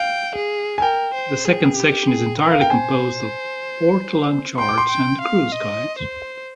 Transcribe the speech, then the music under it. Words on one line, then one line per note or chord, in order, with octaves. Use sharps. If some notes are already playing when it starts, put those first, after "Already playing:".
The second section is entirely composed of portolan charts and cruise guides.
Already playing: F5 G5
G#4
G#5
A#4 G5
C5
G#4
G4
G#4
A#4
F5
G5
C5 G#5
G5 C6
D6
C6
G5
F5
D#5
C5